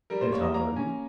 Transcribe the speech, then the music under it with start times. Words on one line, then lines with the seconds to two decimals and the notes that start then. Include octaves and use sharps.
Get on.
0.10 G3 A#4
0.21 C5
0.32 A#3 C#5
0.43 D#5
0.54 A#3 A#5
0.76 C#4 G#5